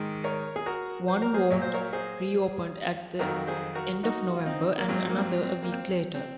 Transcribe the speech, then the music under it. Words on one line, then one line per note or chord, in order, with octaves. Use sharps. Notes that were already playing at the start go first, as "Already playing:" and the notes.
One ward reopened at the end of November and another a week later.
Already playing: G#2 D#3 G#3
A#4 C#5
G#4
F#4 A#4
C5
A#4
G#4 C5
A#2 F#3 C#5
C5
A#4 C#5
G#4 C5
F2 D#3 F#3 F#4 A#4
G#4 C5
F#4 A#4
D#4 F#4
F4
C4 D#4
A#3
G#2 F#3 C4
A#3
C4
C4
A#3
C4
C4